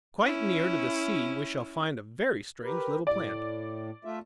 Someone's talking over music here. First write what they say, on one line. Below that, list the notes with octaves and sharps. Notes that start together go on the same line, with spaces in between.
Quite near to the sea we shall find a very strange little plant.
C#4 E4
G4 A#4 B4
A2 D5
A3 F4 E5